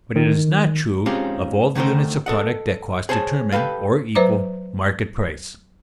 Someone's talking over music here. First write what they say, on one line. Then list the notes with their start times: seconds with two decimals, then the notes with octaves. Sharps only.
But it is not true of all the units of product that costs determine, or equal, market price.
0.16 D#3
1.06 G#3 C4 C#4 D#4 F4 G4
1.75 D3 D#3 A3 D#4 C5
2.26 A4 D#5 F#5
3.09 G#4 C5 C#5 A5
3.52 G4 A4 B4 F5
4.15 F#3 B4 C5 D5 A#5 D6